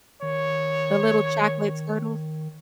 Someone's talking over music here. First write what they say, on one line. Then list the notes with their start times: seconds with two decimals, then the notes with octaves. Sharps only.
The little chocolate turtles?
0.22 D#3 C#5